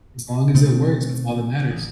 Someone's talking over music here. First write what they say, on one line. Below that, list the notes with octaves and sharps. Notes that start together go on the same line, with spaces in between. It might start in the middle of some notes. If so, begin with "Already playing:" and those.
As long as it works, that's all that matters.
B2 D#3 A3 C4
A1